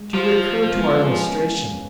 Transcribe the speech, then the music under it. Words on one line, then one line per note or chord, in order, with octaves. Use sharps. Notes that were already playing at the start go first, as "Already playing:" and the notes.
To recur to our illustration.
Already playing: G#3
F3
A#3
G#3 B3
A#3 C#4